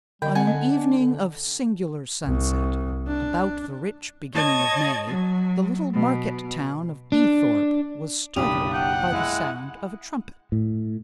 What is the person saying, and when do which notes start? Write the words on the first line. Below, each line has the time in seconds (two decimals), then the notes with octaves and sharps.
On an evening of singular sunset, about the rich beginning of May, the little market-town of Beethorpe was startled by the sound of a trumpet.
0.22 D3 G3 D#5 G5
0.35 C4 F#5 G#5 A5
0.47 D3 D#5
0.71 D4
0.98 D3
2.25 C2
3.07 D4
4.34 C#5 D#5 A5 G#6 A6
5.06 F#3
5.93 B2
7.12 D4
8.36 F#1 B1 D4 G4 B5 D#6 F7
8.74 F#5 G5
9.13 G#3 E4
10.52 A2